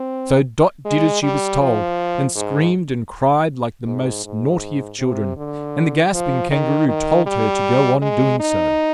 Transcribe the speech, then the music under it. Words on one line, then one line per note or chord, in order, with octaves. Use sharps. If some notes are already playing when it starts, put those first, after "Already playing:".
So Dot did as she was told, and screamed and cried like the most naughty of children; and the gasping Kangaroo told her to go on doing so.
Already playing: C4
G#3
G3
F3
G#2
G#2
G#2
C3
D3
F3
D#3
D#3
G3
G#3
D#4